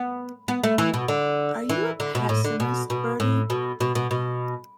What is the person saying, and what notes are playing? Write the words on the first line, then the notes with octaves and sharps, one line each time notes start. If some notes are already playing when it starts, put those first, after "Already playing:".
Are you a pessimist, Bertie?
Already playing: B3
B3
A3
E3
B2
D3
E3
D3
B2
A2
D3
B2
B2
A2
B2
B2
B2
B2